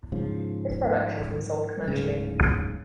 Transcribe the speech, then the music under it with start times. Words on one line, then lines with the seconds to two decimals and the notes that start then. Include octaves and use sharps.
This product has been sold commercially.
0.12 G#2 C#3 F3
1.88 D1 G#2 C#3